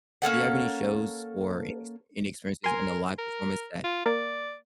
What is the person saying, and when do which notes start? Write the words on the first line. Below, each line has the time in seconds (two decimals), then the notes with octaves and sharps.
do you have any shows, or any ex any experiences in a live performance that,
0.22 A#3 C#4 A4 F#5
2.64 A#4 G#5 C6
3.18 A#4
3.84 F4
4.06 A#3 D5